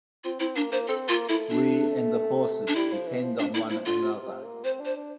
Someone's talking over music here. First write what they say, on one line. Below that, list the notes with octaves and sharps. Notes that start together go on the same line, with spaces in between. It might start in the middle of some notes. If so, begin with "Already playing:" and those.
We and the horses depend on one another.
C4 F4
C4 E4
A#3 D4
A#3 C5
C4 A4
A#3 F4
A3 E4
D4
D4
G3 E4
F3
E3
F3
F3 D4
D3 E4
F3 E4
D3 F4
C3
C3
A#3
C4 C5
D4
C5
D4